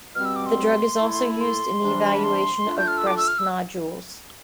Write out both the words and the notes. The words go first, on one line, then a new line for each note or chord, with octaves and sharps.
The drug is also used in the evaluation of breast nodules.
B2 G3 C4 G4 F6
E6
D6
C6
A3 E4 A4
C6
C3 E3 G3 D4
B5
C6
A3 D4 F4
G6
F6
E6
D6
E6
F6
E6